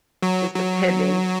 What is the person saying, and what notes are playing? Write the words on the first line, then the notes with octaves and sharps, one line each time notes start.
just depending,
F#3
F#3